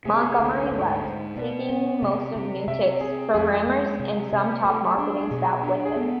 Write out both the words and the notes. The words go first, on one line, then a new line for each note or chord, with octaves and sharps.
Montgomery left, taking most of NewTek's programmers and some top marketing staff with him.
C3 G#4
G#4
D2 A4
B4
G#2 A4
G#2 C5
B2 D5
B3
C3
C3
C3 E5
C4 G#4
F2 G#4
G#3
C3
C3
B4
A3 A4
D4 G#4
G#4
B2
D4
G#4
B3 A4